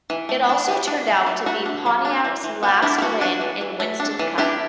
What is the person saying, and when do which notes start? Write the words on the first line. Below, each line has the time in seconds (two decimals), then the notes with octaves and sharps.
It also turned out to be Pontiac's last win in Winston Cup.
0.10 E3
0.29 A3
0.49 D4
0.68 E3
0.87 D4
1.08 F#3
1.26 F#3
1.46 A3 F#4
1.66 D4
1.86 F#3
2.05 D4
2.25 E3
2.44 E3
2.63 B3 F#4
2.82 D4 E4 G4
2.98 E4
3.02 E3 F#4
3.21 D4 F#4
3.41 E3
3.61 E3
3.80 A3
4.00 D4
4.19 E3
4.38 D4 E4 G4